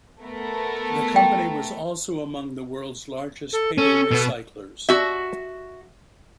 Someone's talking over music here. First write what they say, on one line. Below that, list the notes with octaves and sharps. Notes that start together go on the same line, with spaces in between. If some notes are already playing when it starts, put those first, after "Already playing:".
The company was also among the world's largest paper recyclers.
A3 B3 A#4
G5
A4
C#4 A4
B2 B3
F#4 E5